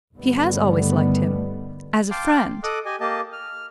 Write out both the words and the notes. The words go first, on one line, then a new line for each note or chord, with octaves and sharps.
"She has always liked him--as a friend."
G1 D3 D#3 G3 A3 B3
F5 G5 A5 C6 D6
A4 D#5 D6 D#6 F#6
G4 D#5 G#5
A#3 G4 D#5 A5
F6